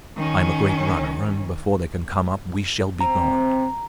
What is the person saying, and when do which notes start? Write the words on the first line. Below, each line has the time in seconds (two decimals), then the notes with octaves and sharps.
I am a great runner, and before they can come up we shall be gone.
0.16 D#3 C#4
3.01 C4 A#5